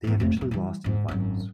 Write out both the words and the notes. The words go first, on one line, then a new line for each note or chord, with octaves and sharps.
They eventually lost in the finals.
E2 G#2
F2 A3
E1 G2
E3 G3
G#2 D3
G#1 F#2